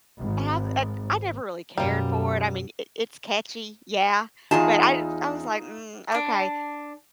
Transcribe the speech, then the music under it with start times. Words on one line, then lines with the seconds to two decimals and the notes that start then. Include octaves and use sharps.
I have eh I never really cared for it, I mean, i it's catchy, yeah, but I I was like, "Mm, okay."
0.19 G#1
1.78 F#2 B2 G3 A#3
4.51 E2 D#4 F4 G#4 A5
6.12 D4 D6